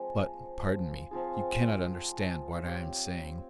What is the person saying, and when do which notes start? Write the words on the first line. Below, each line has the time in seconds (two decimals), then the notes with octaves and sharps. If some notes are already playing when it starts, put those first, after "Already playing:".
But, pardon me, you cannot understand what I am saying.
Already playing: F3 G#3 C4
1.11 F3 C4 F4 G#4
2.65 C4 G4 C#5